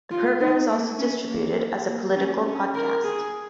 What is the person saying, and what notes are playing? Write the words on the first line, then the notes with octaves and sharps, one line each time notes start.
The program is also distributed as a political podcast.
F4
D#4
A#3
C#4
A#3
A#3
C#4
C#4
A#4
G#4